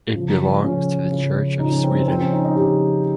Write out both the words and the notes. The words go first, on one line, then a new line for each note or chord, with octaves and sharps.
It belongs to the Church of Sweden.
C#3 F3
C#3 F3 C#4
C#3
F3
C#3 F3 D#4
C#4
C4
C4
C#3 F3 C4
C#4
D#4
D#4
C#3 F3 G4